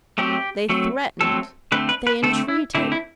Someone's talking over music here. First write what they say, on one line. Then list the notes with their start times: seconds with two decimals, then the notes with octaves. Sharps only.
They threatened, they entreated.
0.18 F#3 A3 C4 G4
0.69 F#3 A3 C4
1.21 F#3 A3 C4 A4
1.72 D3 A3 C4 B4
1.89 B4
2.07 B4
2.23 D3 A3 C4 A4
2.48 E4
2.75 D3 A3 C4 E4
2.92 E4